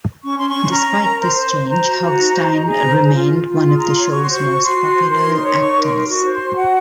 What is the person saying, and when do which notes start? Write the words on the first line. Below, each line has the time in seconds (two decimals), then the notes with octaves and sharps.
Despite this change, Hogestyn remained one of the show's most popular actors.
0.23 C#4 C#6
0.39 C#4 C6
0.47 C#6
0.55 C#4
0.63 C6
0.71 C#4 A#5
0.88 C#4
1.03 A#4
1.21 C5 C6
1.37 C5
1.53 C5
1.69 C5 A#5
1.85 F#4
2.01 F#4
2.17 D#4
2.33 C5
2.50 D#4
2.66 G#4 A#5
2.83 C5
2.99 G#4
3.15 F4
3.31 F4
3.48 F4
3.64 G#4 C6
3.78 F4 A#5
3.89 C6
3.97 C#5
4.12 F#4 C#6
4.21 C6
4.29 C5 C#6
4.45 F#4
4.62 F#4 C6
4.78 F#4
4.93 C5
5.10 A#4 C6
5.27 D#4
5.35 C6
5.43 C#5
5.58 D#4 C#6
5.76 A#4
5.84 C6
5.91 D#4
6.08 F#4 C#6
6.24 C5
6.32 C6
6.40 F#4
6.56 F#4 F#5